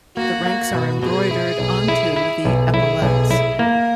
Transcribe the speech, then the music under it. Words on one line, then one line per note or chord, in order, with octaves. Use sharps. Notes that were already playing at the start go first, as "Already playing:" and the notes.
The ranks are embroidered onto the epaulettes.
A#3 F#4
A#3
B2
B2 G#4
E4
B1
E4
E4
B1
E4 G#4
B1
E4
A#3 A#4